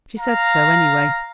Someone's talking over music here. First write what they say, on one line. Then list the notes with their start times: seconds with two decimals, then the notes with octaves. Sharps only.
She said so, anyway.
0.19 F5 A#5